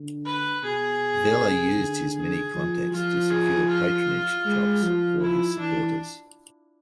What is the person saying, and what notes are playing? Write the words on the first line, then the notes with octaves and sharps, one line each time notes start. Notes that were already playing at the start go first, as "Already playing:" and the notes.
Velella used his many contacts to secure patronage jobs for his supporters.
Already playing: D3
B4
B2 G#4
C3
D3
G#4
F3
F3 F4
G#4
F4
G#3
F3
E4
E3 D4